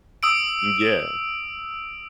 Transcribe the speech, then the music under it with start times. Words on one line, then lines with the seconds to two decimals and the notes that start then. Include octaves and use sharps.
Mm yeah.
0.23 D#6 E6 D7